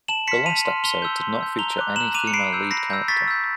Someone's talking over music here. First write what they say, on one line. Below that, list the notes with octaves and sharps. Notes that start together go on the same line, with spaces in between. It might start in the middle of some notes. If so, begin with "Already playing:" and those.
The last episode did not feature any female lead character.
A5 E7 F#7
C6 F6 B6 C#7
A5 D#7 F7
C6 F6
C6 F7 G7
E6 G6
C6
E6 G6
A#5 F7 G7
D6 F#6
A#5 E7 F#7
D6 F#6 D#7 F7
C#7
B5 C7 D7
E6 G6
B5 A#6 C7
E6 G6
C#6 A6 B6
E6 G6